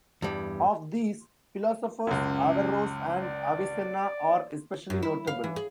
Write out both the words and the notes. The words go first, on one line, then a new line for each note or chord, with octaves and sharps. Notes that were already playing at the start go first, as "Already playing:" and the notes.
Of these, philosophers Averroes and Avicenna are especially notable.
E2 G2 G3
C#2 F#2 C#4
D5
F#2
E4
F5
E3
G#4